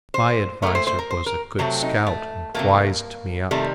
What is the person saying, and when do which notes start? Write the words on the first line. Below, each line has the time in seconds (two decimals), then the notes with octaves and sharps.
My adviser was a good scout and wised me up.
0.14 C5
0.62 A#2 A3 A#4
0.75 C5
0.87 C5
0.99 A#4
1.11 C5
1.26 A#4
1.59 C3 F#3 A3 C4
1.83 D#4
2.07 A3
2.54 C3 F#3 A3 A#3
3.51 C3 D#3 G3 A3